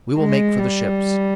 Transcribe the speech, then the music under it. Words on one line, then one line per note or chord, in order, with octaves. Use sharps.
We will make for the ships.
G#3
G3